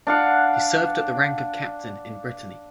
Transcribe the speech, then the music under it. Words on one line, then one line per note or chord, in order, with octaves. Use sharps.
He served at rank of captain in Brittany.
D4 F5 F#5